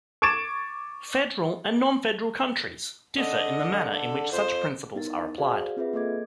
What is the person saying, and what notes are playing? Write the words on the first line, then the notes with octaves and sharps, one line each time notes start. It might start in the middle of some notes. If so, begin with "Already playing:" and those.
Federal and non-federal countries differ in the manner in which such principles are applied.
C#6 D6 G#6 A6 D7 E7
D3 D#5
A4
F2 C5
B3 D#4 E4 A#4 A6
F#4 G#4 C5 D5 F5 F#5
C4 F4 G#4 B4 E5
A#3 A4 D#5 D6 G#6